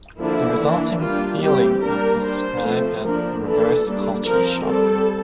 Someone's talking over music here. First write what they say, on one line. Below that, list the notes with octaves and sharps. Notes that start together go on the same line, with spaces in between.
The resulting feeling is described as "reverse culture shock".
D3 F3 A#3 D4 E4
E3 A#3 D4
G3 A#3 D4 F4
E3 G3 C4 G4
G3 A#3 D4 A#4
G3 D4 C5
F3 A3 C4
D3 F3 A#3 D4 A#4
E3 A#3 D4 A4
G3 A#3 D4
F3 C4 A#4
G3 C4 A4